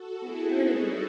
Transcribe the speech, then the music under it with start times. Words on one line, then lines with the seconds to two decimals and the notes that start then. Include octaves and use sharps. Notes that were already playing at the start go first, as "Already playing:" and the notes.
I've heard of it.
Already playing: F#4 A4
0.22 E4 G#4
0.51 D#4 F#4